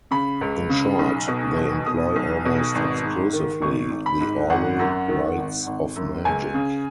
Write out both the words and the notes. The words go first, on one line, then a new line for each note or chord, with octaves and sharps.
In short, they employ almost exclusively the oral rites of magic.
C#3 B5
C#2
C#3
B1
B2
B1
B2 D#6
B1
B2
G#1
G#2
D#3
G#1 C#6
G#1
B5
G#2
G#1 F#5
F#2
D#3
G#1
G#1
F#2
C#2 G#5
C#3